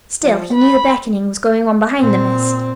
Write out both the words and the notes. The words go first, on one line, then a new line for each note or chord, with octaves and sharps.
Still he knew the beckoning was going on behind the mist.
F3
B5
A#2 C4